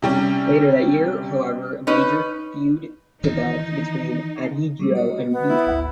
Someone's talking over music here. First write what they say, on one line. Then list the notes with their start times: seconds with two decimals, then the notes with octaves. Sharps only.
Later that year, however, a major feud developed between Ahidjo and Biya.
0.02 C3 G3 C#4
1.87 C#4 D#4 B4
3.24 D#3 E3 D#4
4.79 F#3 G3 A3
4.95 F#4 D#5
5.32 B3
5.49 E4
5.67 G#1 D2